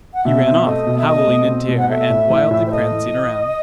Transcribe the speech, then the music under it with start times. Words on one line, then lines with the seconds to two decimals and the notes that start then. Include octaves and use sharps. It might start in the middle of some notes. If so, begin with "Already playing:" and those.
He ran off, howling in terror and wildly prancing around.
0.14 F#5
0.24 B2 E5
0.46 C4
0.66 A3 D#5
0.87 B2
0.98 E5
1.07 A3 D#5
1.27 B2
1.48 C4
1.69 B2
1.78 F#5
1.89 A3 E5
2.10 A2
2.30 E3
2.51 A2
2.67 C5
2.71 A3 D#5
2.92 E3